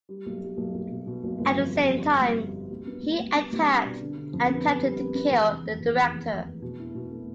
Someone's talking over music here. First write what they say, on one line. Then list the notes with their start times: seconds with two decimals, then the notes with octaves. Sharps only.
At the same time he attacked and attempted to kill the Director.
0.09 G3
0.26 B1
0.42 G3
0.57 B1
0.74 B1
0.90 B2
1.07 B2
1.24 B1
1.39 G1
1.56 F2
1.73 G3
1.88 F2
2.04 F2
2.21 G1
2.38 G3
2.54 G3
2.70 C2
2.87 B3
3.03 C2
3.19 C2
3.36 B3
3.52 C2
3.69 D4
3.85 B2
4.01 D3
4.17 D3
4.33 F2
4.50 B3
4.66 F2
4.83 G3
4.99 B3
5.15 B3
5.31 E2
5.47 C3
5.64 F1
5.80 E2
5.97 E2
6.13 F1
6.29 F1
6.45 F1
6.62 B2
6.79 E4
6.95 B2
7.11 A3